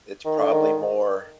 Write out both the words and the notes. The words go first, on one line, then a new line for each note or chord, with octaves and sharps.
it's probably more
D#3
D3
D#3